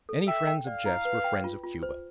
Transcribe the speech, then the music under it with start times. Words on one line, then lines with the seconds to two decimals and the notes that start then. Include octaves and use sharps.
Any friends of Jeff's were friends of Cuba.
0.09 A4
0.27 E5 G5
0.47 G5
0.67 D5 F5
0.86 E4
1.05 B4
1.24 G5
1.44 F4
1.64 F4
1.83 C5